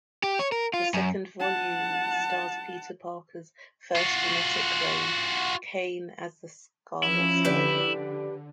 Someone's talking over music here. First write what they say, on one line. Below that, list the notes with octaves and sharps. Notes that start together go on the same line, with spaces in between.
The second volume stars Peter Parker's first genetic clone, Kaine as the Scarlet Spider.
G4
C#5
A#4
F4
F#2
F#5 A5
F4 F#4
F3 C#4 E4
D3 G4 B4 D5